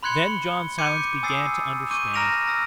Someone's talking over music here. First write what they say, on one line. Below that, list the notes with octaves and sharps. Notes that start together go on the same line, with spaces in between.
Then John Silence began to understand.
B5 C6 F#6 G#6 C#7 G7
D6 G6 G#6 C#7 D#7
G#5 D#6 E6 A6 C7
C#6 D6 G6 D#7
A#5 F6 A#6 D7 F7
E6 F6 A#6